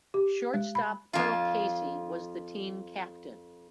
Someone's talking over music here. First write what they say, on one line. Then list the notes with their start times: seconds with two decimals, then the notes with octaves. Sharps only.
Shortstop Pearl Casey was the team captain.
0.14 G4
0.54 G#3
0.75 B5
1.13 F2 F4